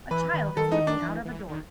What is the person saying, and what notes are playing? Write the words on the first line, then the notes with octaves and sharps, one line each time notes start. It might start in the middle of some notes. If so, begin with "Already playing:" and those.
A child is looking out of a door.
E3 B4
D#3
D#3 A4
E3 D#4
D#3
D4
E3
E3
D#3